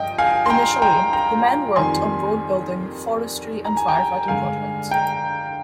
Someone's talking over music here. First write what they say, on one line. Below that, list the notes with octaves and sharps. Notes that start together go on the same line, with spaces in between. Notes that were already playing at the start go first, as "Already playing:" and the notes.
Initially the men worked on road building, forestry and firefighting projects.
Already playing: G2 F3 D#5 G5
F5 G#5
C6
G5 A#5
G5 A#5
G5 A#5
F2 D#3 G3 G#5 C6
A#5
G#5
G5 A#5
G2 D3 G#3 F5 G#5
G5 A#5